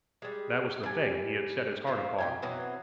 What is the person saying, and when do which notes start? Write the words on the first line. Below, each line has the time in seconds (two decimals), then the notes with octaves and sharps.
That was the thing he had set his heart upon.
0.22 G3 G#3
0.83 G3 G#5
1.87 C#4 F4 C5
2.18 B2 G5 G#5
2.42 B2 E3 F#3 C4